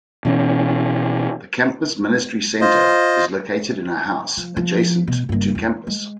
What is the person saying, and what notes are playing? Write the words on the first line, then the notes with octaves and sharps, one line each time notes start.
The Campus Ministry Center is located in a house adjacent to campus.
B2 E3 C#4
F4 C5 D#5
F3
F3
B2
F#1 G2
E2
G#3